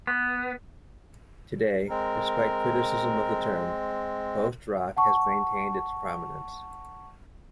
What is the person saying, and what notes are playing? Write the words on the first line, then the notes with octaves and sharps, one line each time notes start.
Today, despite criticism of the term, post-rock has maintained its prominence.
B3
G#3 C4 A#4
F#5 A5 C#6